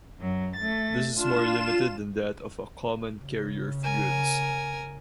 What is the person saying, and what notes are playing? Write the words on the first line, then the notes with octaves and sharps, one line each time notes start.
This is more limited than that of a common carrier of goods.
F#2 F#3
A3 A6
D4 F4 E7
C#3
A#4 G#5